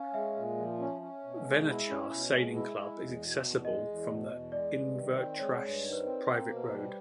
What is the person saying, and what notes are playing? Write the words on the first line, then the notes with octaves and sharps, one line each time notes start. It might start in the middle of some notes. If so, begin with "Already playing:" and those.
Venachar sailing club is accessible from the Invertrossachs private road.
Already playing: C#4 F5 G#5
G#3 E5
A#2
F3
C#4
C#4
B2
G#3
E4
C#4
B2
G#3
E4
G#3
E2
B2
E2
G#3 D#5
E2
B2
E2
G#3 D5
G2
D#3
C4
G#3 C#5
G2
C#5
D#3
B4
C5
C4
A#3 C5
B2
B4
G3